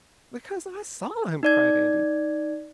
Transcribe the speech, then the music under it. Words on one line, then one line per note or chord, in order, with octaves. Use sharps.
"Because I saw 'em!" cried Andy.
D#4 D5 G#6